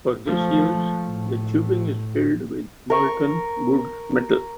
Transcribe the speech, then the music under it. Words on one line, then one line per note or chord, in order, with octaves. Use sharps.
For this use the tubing is filled with molten Wood's metal.
F3 A3
A2
A#4 C#6